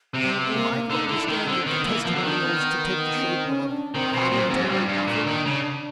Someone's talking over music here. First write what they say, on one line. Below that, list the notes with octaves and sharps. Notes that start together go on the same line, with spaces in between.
"Am I to understand that the testimonial is to take the shape of a voluntary offering?"
C3 C4
B3
A#3
A#3
D3 D#4
D3 E4
D#3 D#4
D3 C4
D#3 B3
E3 A#3
F3 B3
D3
D#3 D4
C4
B3
B3
B3
C#4
C4
C#4
D4
D#3 C4
B2
A#2
G#2
F#2
G2 D4
G2
A#2
D#3
C#3